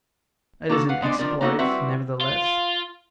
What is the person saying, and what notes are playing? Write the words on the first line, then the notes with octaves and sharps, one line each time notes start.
"It is an exploit, nevertheless."
A#3 D4 F#4 A4
B4 F5 F#5
G#3 B3 D4 C5 D5
D#3 F3 C#4 D4 A#4 D5
A#3 B3 D#4 F4 F#4 A4
G3 C4 E4 F#4 B4 E5
F4